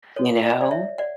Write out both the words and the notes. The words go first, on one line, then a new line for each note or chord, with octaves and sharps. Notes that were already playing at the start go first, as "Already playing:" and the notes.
you know?
F#4 A4 C#5
D5
D5
C#5 E5
D5 F#5